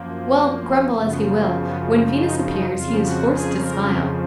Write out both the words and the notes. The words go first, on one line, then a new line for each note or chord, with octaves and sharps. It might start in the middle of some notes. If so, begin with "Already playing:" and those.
Well, grumble as he will, when Venus appears he is forced to smile.
Already playing: F#2 F3 A#3
F#2 C#3 F3 B3
A#3
B3
D#4
D#4
F2 C#3 F3 F4
F#4
G#4
A#4